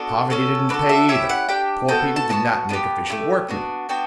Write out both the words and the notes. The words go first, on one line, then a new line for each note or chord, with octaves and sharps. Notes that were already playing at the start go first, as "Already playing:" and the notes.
Poverty didn't pay, either; poor people do not make efficient workmen.
Already playing: B3 D4 F#4 A4
C#4 F#4 A4
D4 F#4 A4 B4
E5
C#4 E4 G4 E5
F#5
D4 G4 G5
B3 F#4 A4 G5
A5
B3 D4 F#4 A5
B3 D4 G4
A3 E4 G4
B3 D4 F#4
B3 D4 F#4 G5